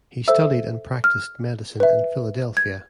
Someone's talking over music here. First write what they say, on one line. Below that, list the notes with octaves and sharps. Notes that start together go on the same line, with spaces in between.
He studied and practiced medicine in Philadelphia.
A4 C5 E5 E6
F6
B4 E5
G#6